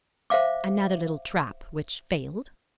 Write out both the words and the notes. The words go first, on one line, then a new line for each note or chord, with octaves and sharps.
Another little trap which failed.
C5 E5 F5 D6